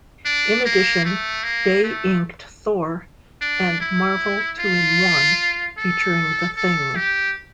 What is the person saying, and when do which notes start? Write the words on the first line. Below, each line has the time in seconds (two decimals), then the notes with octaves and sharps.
In addition, Day inked "Thor" and "Marvel Two-in-One" featuring the Thing.
0.25 D4
0.65 A#3
1.05 A3
1.43 A#3
1.84 A3
3.41 D4
3.80 E4
4.60 F4
5.78 A4
6.57 A4
6.95 G4